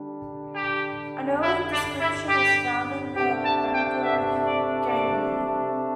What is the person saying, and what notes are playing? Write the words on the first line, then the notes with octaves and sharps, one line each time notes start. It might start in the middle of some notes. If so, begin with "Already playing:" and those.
An early description is found in the Bencao Gangmu.
Already playing: D3 G3 D4
G4
E4
D4
E4
G4
C3 A3 D4 G4
A5
G5
E5
D5
D5